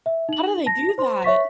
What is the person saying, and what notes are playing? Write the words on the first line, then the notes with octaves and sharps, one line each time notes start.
how do they do that?"
E5
D#4 F#7
A5 A#6
C5 C6
C#5 E5 C#6 B6